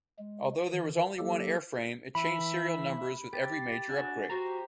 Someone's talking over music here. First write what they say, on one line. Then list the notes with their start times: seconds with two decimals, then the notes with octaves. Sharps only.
Although there was only one airframe, it changed serial numbers with every major upgrade.
0.19 G#3
0.69 D#3 E3
1.19 F#3 A#3 G4 A4
2.15 E3 E5 B5
3.33 G4 A6
3.89 D4 F#4 G#5
4.30 F#4 G4 C5 A#5